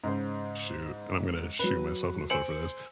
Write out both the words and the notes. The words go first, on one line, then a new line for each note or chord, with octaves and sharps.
shoot, and I'm gonna shoot myself in the foot for this.
G#2 C#3 C5
F#3 B4
C5 G#5 E6 C#7 D7 F#7